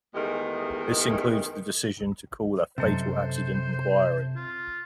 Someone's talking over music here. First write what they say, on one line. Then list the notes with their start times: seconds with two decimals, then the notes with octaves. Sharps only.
This includes the decision to call a Fatal Accident Inquiry.
0.15 E2 D#3 G#3 A3 G4
2.78 F#2 C3 A4 C5 D#5
4.36 F4